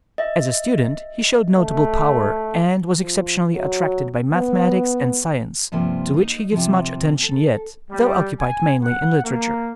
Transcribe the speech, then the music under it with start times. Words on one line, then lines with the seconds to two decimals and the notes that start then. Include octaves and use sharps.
As a student he showed notable power, and was exceptionally attracted by mathematics and science, to which he gives much attention yet, though occupied mainly in literature.
0.18 D#5 E5
1.57 A3
3.01 F3
3.55 F#3
4.32 B3
5.72 G2 C3 F3 A#3
6.14 A#3 D#4
6.52 C3 F3
7.22 A4
7.91 G3
8.40 G#5
8.83 F#5
9.24 A#3